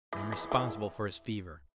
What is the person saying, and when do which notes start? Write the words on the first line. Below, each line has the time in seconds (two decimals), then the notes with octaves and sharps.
I am responsible for his fever.
0.13 E3
0.32 E3
0.52 E3